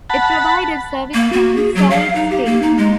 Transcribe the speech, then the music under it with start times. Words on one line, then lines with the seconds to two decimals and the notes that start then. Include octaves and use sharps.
It provided service from Sault Ste.
0.10 F#5 A5 B5
1.14 A#3
1.33 F#4
1.56 G#4
1.75 F#3
1.91 F5
2.16 D#4
2.30 G4
2.46 A#3
2.62 D#4
2.78 G#3